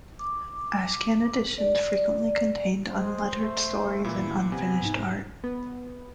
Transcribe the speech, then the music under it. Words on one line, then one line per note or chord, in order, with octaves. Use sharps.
Ashcan editions frequently contained unlettered stories and unfinished art.
D6
D5
G#3 C5
A3
A#2 E3 E4
C3 B3 G#5
G#2 D#4
B3